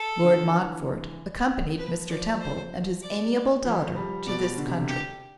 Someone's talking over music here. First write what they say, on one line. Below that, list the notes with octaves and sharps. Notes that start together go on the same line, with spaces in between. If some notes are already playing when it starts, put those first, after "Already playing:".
Lord Montfort accompanied Mr. Temple and his amiable daughter to this country.'
Already playing: A4
D3
E3
F3 B4
F3 D5
C5
D5
F3
G3
B2 D5
D3
C3
D3
G4